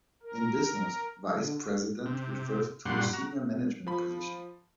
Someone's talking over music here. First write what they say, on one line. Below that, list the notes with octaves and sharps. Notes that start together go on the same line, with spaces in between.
In business, "vice president" refers to a senior management position.
A#4
D3
C3
F#2 A#2 G3 F#5 C6
F#4 A#5
F3 B5